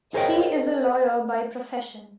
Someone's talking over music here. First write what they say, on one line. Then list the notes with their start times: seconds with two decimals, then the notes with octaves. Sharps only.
He is a lawyer by profession.
0.14 G#4 A#4 C5 C#5 D#5 G5